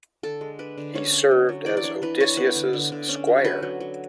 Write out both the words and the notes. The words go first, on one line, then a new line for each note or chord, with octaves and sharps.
He served as Odysseus's squire.
D3 A4
G#3
D4 B4
D3
C#4 C#5
C#4
F#3
F#3
E3 D5
D5
D4 C#5
E3 B4
D4 C#5
B3 B4
D3
D3
D3
C#4
F#3
F#3 B4
F#3
F#3